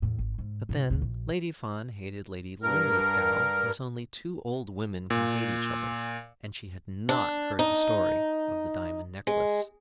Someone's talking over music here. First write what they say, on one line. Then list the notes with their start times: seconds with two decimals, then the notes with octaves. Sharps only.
But then Lady Fawn hated Lady Linlithgow as only two old women can hate each other;--and she had not heard the story of the diamond necklace.
0.02 E2 A2
0.19 G#1
0.38 G#2
0.69 C2 G#2
0.90 D2 A#2
1.02 A#1
2.63 G2 A#4
5.10 A#2
7.09 D4
7.59 D#4
9.27 G#3